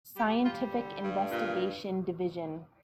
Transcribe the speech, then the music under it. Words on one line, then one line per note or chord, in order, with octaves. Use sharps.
Scientific Investigation Division.
G3 G4
G4
G3 F4
D3
G2
A#2